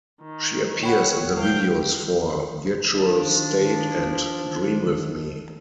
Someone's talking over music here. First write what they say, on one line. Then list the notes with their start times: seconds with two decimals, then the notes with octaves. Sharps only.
She appears in the videos for "Virtual State" and "Dream With Me".
0.22 D#3
0.83 C#5 F#5 G5 B5
1.37 G3 F5 G5 G6
2.95 D#3 F3 D4